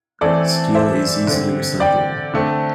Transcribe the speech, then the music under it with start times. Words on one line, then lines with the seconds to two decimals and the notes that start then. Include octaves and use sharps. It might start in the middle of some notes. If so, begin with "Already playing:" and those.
Steel is easily recyclable.
0.21 E3 A3 C4 A4 D5
0.75 C5 E5
1.27 D3 C4
1.80 D5 G5
2.33 D3 A3 C4